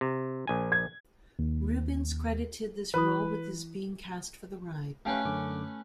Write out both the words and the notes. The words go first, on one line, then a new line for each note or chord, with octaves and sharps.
Reubens credited this role with his being cast for the ride.
C3
A#1 G#5
G#6
D#2
E3 E4 B4 D#6
A3 C#4 G4 B4 F5 G5
F#2 D3 D6